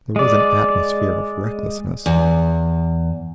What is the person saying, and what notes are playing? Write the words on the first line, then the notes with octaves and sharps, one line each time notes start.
There was an atmosphere of recklessness.
G#3 D5
E2